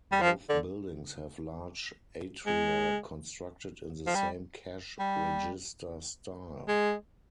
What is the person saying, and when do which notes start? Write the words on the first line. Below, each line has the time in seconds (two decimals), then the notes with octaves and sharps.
Both buildings have large atria constructed in the same cash register style.
0.12 G3
0.21 F3
0.49 D3
2.46 G#3
4.07 F3
4.15 G3
4.99 G3
6.68 G#3